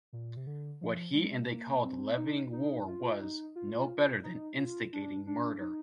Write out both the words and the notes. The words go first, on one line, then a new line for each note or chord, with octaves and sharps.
What he and they called levying war was, no better than instigating murder.
A#2
C3
D3
F3
G#3
A#3
C4
D#4
D#4
F4
D#4
F4
D#4
F4
D4
D4
D#4